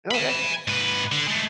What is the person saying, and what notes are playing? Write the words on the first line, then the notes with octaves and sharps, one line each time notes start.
No, that could be f
G#5 B5
G#2 B4
D3
G#3 A3